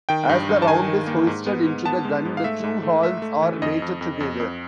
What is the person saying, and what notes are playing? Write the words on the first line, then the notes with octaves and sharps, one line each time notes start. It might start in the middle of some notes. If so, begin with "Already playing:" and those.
As the round is hoisted into the gun the two halves are mated together.
D#3 G5
G2
G2
A5
D#3 G#5
D#3
A#3
G#2
B3
G#2
B3 A5
G#3
G#2
F5
A3 E5
G#2
A3
A3 E5
A3
E3
F2 D#5
F2
F2
F2
F2